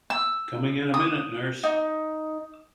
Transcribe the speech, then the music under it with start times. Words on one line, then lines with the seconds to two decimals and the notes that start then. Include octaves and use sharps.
Coming in a minute, nurse!
0.10 E6
0.94 D#6
1.63 D#4